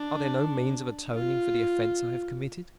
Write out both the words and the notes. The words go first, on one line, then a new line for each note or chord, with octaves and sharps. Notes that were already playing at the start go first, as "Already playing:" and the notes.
Are there no means of atoning for the offense I have committed?
Already playing: D4
F4